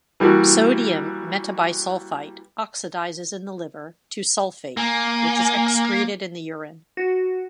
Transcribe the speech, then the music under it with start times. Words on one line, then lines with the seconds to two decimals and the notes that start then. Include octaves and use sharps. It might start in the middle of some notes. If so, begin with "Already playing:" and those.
Sodium metabisulfite oxidizes in the liver to sulfate which is excreted in the urine.
0.20 E3 G3 A#3 F#4
4.77 A#3 G#5
6.97 F#4